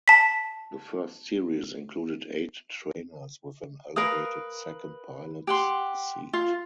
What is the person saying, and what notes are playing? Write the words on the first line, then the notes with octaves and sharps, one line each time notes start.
The first series included eight trainers, with an elevated second pilot's seat.
A5 B6
A#4 B4 F5 D#6
G4 F#5 C6
F4